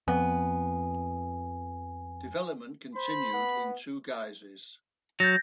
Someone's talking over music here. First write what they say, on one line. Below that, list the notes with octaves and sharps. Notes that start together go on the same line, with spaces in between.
Development continued in two guises.
F2 B3 G#5
C5 B5
B3
F#3 G6 A6 A#6